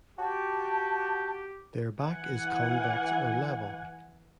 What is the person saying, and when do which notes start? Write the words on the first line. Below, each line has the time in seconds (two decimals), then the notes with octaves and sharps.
Their back is convex or level.
0.18 F#4 G4 A5
2.01 E3 F#5 G#5